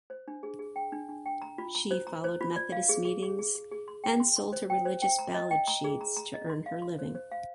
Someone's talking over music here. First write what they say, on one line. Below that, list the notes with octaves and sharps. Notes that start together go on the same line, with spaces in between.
She followed Methodist meetings and sold her religious ballad sheets to earn her living.
C5
D4
G#4
G#4
G5
D4
D4
G5
A#5
F4
A#5
C5
A#5
C5
F4
D5
F5
G#4
G#4
G#4
G#4
G#4
G#4
C6
G5
C6
C6
C5
G5
C5
G5
A#5
D#5
G5
A#5
G#4
A#5
A#5
D#5
C6
F5
C6
C5
C5
F5